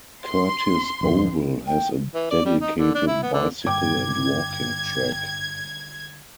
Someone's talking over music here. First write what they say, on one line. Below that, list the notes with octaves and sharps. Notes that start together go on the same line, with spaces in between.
Curtis Oval has a dedicated bicycle and walking track.
C6
D1 F2
G5
E3
D5
G3
D#4
D3
D4
E4
B3
D3
G2 D3 G3 A#3 G5 D6 G#6